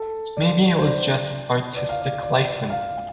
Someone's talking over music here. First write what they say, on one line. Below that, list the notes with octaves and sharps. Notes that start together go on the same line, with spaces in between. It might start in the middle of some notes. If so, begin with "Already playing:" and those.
Maybe it was just artistic license.
Already playing: A4
D5
C5
D5
D5
F5
D5
D5
F5